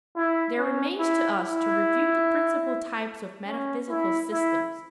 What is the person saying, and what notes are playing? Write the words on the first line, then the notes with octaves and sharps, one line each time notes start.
There remains to us to review the principal types of metaphysical systems.
E4
C#4
E4
E4
C#4
E4
E4